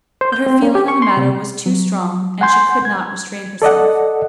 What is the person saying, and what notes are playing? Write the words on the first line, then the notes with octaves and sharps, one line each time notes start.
But her feeling on the matter was too strong, and she could not restrain herself.
C5
G6
C4
A#3
G4
C#6
C6
C3
F#3
F#5 G#5 C6 G6
G#6
A4 D5 D#5 F#5